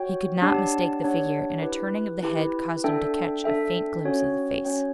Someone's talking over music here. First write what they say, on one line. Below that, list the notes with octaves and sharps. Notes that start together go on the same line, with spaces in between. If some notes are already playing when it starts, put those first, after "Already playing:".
He could not mistake the figure, and a turning of the head caused him to catch a faint glimpse of the face.
Already playing: F#4 C#5 G5
D4 G4 C#5 F#5 A5
D4 G4 C#5 F#5 A5
E4 G4 B4
E4 G4 B4
D4 A4 E5 G5
D4 A4 E5 G5
C#4 F#4 C#5 G5
C#4 F#4 C#5 G5